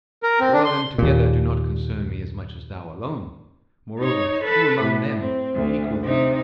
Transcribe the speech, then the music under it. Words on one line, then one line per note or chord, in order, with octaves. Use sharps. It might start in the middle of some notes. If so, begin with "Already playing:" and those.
But all of them together do not concern me as much as thou alone; moreover, who among them could equal thee?
A#4
C4
D4
C6
D#2 A#2
D#4 C#5
A4 B4
A2
C4
D2
C3 D#4